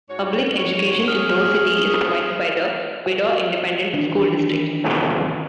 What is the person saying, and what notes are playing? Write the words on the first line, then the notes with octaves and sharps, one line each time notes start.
Public education in Rose City is provided by the Vidor Independent School District.
G#2 F#4 C#5
F7
A3 G#4 F6
D#3 E3 D4